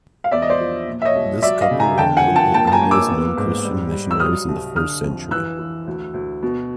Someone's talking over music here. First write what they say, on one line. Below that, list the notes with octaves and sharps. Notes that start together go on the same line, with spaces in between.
This couple were among the earliest known Christian missionaries in the first century.
F5
E2 D5 E5
D#5
C5 D5
F3
A#2
E5
C#5 D#5
C2
F#3 D5 E5
D#5 F5
C#3
G#5 A#5
D3 G5 A5
F#5 G#5
F3
G5 A5
A#3 G5 A5
A5
G#5 A#5
A#3
D6 E6
B3
G#2
G3
G3
E6
F#3 D#6 F6
C2
D3 D#6 F6
F2
E3 E6 F#6
E3
D2
D2
B2